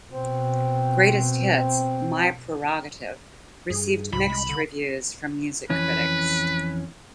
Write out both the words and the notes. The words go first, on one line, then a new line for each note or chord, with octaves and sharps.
"Greatest Hits: My Prerogative" received mixed reviews from music critics.
B2 C4
G2 G#4
C2 G#2 B5
G#3
D3
F2 E3 C#4 B4